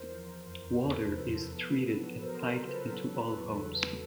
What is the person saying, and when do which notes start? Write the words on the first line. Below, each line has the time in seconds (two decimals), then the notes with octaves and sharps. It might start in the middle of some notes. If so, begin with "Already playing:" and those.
Water is treated and piped into all homes.
Already playing: E2 A#4 C5
0.11 F3
0.46 F2
0.81 C3 A4 B4
1.16 F3
1.52 B3
1.87 F#3
2.22 B3 A#4 C5
2.45 A#4 C5
2.57 C#3
2.69 A4 B4
2.93 F#3
3.28 E2
3.63 E2